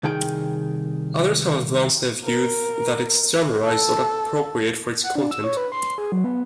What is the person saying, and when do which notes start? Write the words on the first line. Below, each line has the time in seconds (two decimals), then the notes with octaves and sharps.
Others have advanced the view that its genre is not appropriate for its content.
0.03 C2 D#3 G#4 G5
2.24 A#4
3.63 A4
5.03 F#5
5.15 D4
5.31 E6
5.44 C#5
5.57 B4
5.72 C6
5.84 C6
5.98 G#4
6.12 F#3
6.24 B3